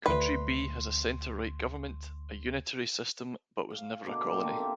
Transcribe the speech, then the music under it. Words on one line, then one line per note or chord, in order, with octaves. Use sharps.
Country B has a centre-right government, a unitary system but was never a colony.
D2 B4 C6
F5
G#5
B2 D3 A#3 D6
F4 G4
A#3 D4 A4 A#4
A#3 C4 E5